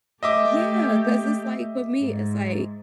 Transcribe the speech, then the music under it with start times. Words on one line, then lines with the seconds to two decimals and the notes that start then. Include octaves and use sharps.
Yeah, 'cause it's like for me, it's like
0.23 A3 G4 D#5 E5 D6
2.01 G#2